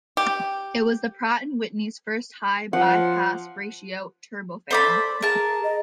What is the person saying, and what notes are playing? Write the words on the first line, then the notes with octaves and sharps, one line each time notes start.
It was the Pratt and Whitney's first high-bypass-ratio turbofan.
G4
F3 F#5
A4 C5 D5 B5
G#4 A#4 A5
D#5